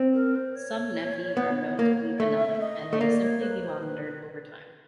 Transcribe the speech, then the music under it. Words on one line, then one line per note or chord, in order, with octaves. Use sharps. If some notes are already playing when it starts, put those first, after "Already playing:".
Some nevi are known to be benign, and may simply be monitored over time.
Already playing: C4
A#4
C5
C#5
B3
A#3
A3 E5
D#5
A3
A#3 D5
C#5
B4
C5
B4
B4